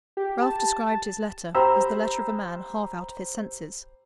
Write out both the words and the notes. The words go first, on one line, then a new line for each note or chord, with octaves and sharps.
Ralph described his letter, as the letter of a man half out of his senses.
G4
A5
G4 C5 G5 A#5 B5 E6